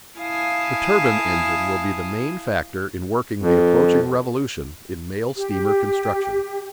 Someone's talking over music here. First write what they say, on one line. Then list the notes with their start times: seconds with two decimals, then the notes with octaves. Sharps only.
The turbine-engine will be the main factor in working the approaching revolution in mail steamer construction.
0.18 E4 F5 G#5 A5 D#6
3.42 F2
5.37 G4